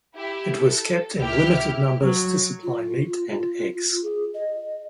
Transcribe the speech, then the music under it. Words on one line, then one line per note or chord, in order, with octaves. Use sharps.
It was kept in limited numbers to supply meat and eggs.
E4 G4
A4
C#2 E4 G4 F6
F#3
F4
G#4
D#5